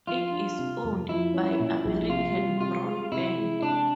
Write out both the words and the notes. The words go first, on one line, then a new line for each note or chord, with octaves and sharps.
It is owned by American Broadband.
F3 F4
D4
C3
F2
F3 E4
C#4
A#2
A#1
C3 F4
G3
C3 F4
G#3
C3 E4
G#3
C3 D4